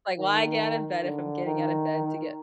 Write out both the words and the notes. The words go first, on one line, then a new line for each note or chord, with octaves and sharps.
Like, why get out of bed if I'm getting out of bed to get
D#3
D3
D#3